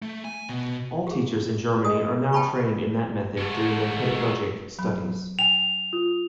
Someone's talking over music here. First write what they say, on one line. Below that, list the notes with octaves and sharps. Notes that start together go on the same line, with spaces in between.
All teachers in Germany are now trained in that method during their pedagogic studies.
A3
G#5
B2
G4 G#4
G#4 D#5 G#5 D#6
G5 A5 B5 C#6
G#2 A3
F#3 B5
G5 G#5 F7
F4